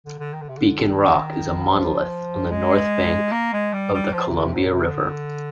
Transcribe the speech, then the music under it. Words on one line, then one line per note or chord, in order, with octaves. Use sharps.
Beacon Rock is a monolith on the north bank of the Columbia River.
D3
D3
D#3
D3
C3
D3
D#3
F3
G#3
A#3
G#3
G3
G3
F3
C3
D3
C3
G#2
A#2
C3
D3